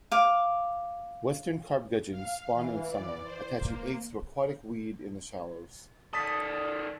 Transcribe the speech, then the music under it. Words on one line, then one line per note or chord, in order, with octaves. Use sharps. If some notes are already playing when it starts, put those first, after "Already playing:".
Western carp gudgeons spawn in summer, attaching eggs to aquatic weed in the shallows.
F5 D6
F5
E3
D5
C5
A#3
D#3 A4 D5 D#6 A6 B6